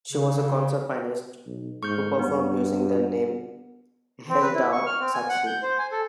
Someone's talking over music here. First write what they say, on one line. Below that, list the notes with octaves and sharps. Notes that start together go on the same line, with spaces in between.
She was a concert pianist who performed using the name Hilda Saxe.
C#3
B1
G#2 C#6 F6 G6
G2 B3
C4
B4
E4
C#6
F6
C4
G#5
F#5
G6
C5
G#5
A4